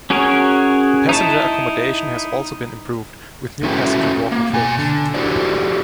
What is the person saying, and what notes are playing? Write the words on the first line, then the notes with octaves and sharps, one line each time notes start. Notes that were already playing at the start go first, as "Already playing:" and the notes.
The passenger accommodation has also been improved, with new passenger door controls.
C#4 F#4 G#4 A#4 C#5
D#4 E4 A5
A3 C#4 E4 F#4 B4 G5
A#3
B2 G#5
D3
E4 F#4 G4 A4 C5 D5